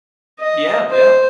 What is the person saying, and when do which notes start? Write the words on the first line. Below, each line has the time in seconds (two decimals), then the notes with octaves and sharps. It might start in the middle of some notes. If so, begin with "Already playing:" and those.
Yeah, yeah.
0.40 D#5
0.90 C5